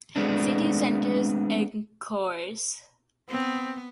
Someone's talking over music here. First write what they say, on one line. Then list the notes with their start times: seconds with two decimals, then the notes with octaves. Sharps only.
City Center's Encores!
0.16 G#3 A3 B3 C4 D4
3.29 B3 C4